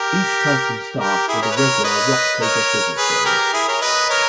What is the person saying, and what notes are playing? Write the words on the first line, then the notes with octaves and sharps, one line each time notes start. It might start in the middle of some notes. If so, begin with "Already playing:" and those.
Each person starts with a regular rock-paper-scissors game.
Already playing: G4 A#4
G4 A#4
E4 G#4
A#4 C#5
B4
A#4 C#5
B4 D#5
A#4 C#5
G#4 B4
G4 A#4
E4 G#4
A#4 C#5
B4 D#5
A#4 C#5